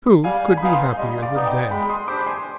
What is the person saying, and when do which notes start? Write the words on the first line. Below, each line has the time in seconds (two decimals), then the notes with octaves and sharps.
Who could be happier than they?
0.24 G3 F5 G#5
0.48 G#5
0.57 B5
0.61 B3 D#4 F5 G#5
0.73 G#5 C6
0.97 G3 D#5
1.22 D5 F5
1.35 B3 D#4
1.46 D#5 G5
1.70 G#3 G5 B5
1.89 C6 D#6
2.08 D4 G4 C5 B5 D6
2.26 G#5 C6